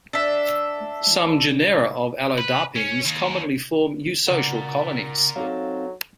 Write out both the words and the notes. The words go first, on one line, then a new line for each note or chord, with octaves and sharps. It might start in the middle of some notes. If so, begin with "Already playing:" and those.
Some genera of Allodapines commonly form eusocial colonies.
D4 A4 E5
B4
C#4
D#2
C#3 F#4 A#4 D5 F#5
F#3 C4 D#4 A4 F5